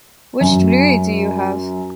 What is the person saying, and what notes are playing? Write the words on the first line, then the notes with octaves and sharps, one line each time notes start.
Which degree do you have?
F#2